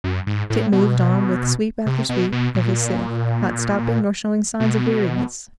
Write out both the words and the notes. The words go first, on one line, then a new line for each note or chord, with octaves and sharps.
Tit moved on with sweep after sweep of his scythe, not stopping nor showing signs of weariness.
F#2
G#2
A2
B2
C3
B2
B2
A#2
B2